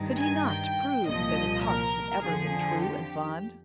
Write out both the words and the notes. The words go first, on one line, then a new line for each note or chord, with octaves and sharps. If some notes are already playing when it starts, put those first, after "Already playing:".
Could he not prove that his heart had ever been true and fond?
Already playing: G2 D#3
G#5
G5
C2 A#2 F3 D#5
A#4
F2 D3 F3 G#4
G4